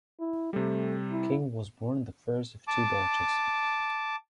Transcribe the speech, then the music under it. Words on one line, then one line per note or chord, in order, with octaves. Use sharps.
King was born the first of two daughters.
E4
C3 G3 A3
E4
A5 D6